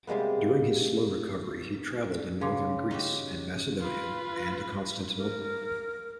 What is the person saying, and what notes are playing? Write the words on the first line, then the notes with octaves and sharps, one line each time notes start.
During his slow recovery he travelled in northern Greece, and Macedonia, and to Constantinople.
C3 G3 G#3 A#3 B3
C#3 C#4 F5 C6 D6
D#4 F#4 G4
F4 B4
A#4